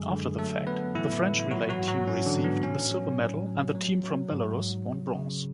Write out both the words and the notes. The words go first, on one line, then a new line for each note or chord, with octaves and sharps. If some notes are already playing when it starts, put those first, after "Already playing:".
After the fact, the French relay team received the silver medal and the team from Belarus won bronze.
Already playing: F#2 D3 F#3 G#3 G#4
D3
F#3 A3 A4
F#3 B3 B4
A2 E3 E4
A2
E4
E3 F#3 F#4
F#3 F#4
G#2
F#3 F#4
E3 C#4
D3 D4
G#2
B3
A2 C#4
F#3
A2
F#3
F#3
F#3
G#2
F#3
F#3
C#3